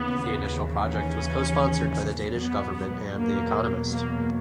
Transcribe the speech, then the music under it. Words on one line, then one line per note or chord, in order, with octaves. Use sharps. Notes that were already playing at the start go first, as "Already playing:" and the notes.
The initial project was co-sponsored by the Danish government and "The Economist".
Already playing: D#2 C#3 E3 B3
C#4
E2 B2 F#3 B3
A#3
A#3